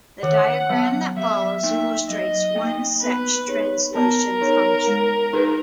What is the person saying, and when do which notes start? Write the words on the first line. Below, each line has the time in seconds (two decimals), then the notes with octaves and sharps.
The diagram that follows illustrates one such translation function.
0.23 D#3 F#5
0.70 F#3 B3
1.17 F#3 E5
1.63 A#3 D#4 E5
2.09 F#3 D#5
2.55 A#3 D#4
3.01 B3 B4
3.48 D#4 G#4 C#5
3.94 B3 A#4
4.41 D#4 G#4 C#5
4.87 G#3
5.33 D#4 G#4 B4